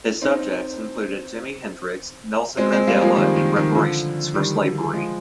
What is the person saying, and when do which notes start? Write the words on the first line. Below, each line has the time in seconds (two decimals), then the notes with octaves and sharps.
His subjects included Jimi Hendrix, Nelson Mandela, and reparations for slavery.
0.22 C4 D#4
2.57 G#3 C4
2.72 G#3 C4
2.87 G3 A#3
3.02 F3 G#3
3.16 D#3 G3
3.36 D#3
3.56 D#3
3.75 D3 F3
4.34 D#3 G3
4.93 F3 G#3